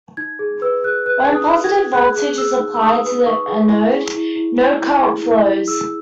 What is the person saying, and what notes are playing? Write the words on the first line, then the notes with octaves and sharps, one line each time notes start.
When positive voltage is applied to the anode, no current flows.
D#4 G#6
G#4
B4 E6
G#4 F#6
B4 F#6
G#4
D#6
D#4
G#6
G#4
G#4 F#6
G#4
G#4 E6
D#4
E6
D#4 D#6
B4
D#4 C#6
G#4
E4
G#4
E4
E4
E4
E4
G#4
E4
E4
G#4 E6